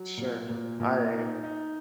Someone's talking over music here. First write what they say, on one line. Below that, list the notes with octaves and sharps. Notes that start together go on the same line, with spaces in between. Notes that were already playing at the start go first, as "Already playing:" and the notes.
Sure, I
Already playing: F#3
A#2
A#2
A#2
D#4
D#4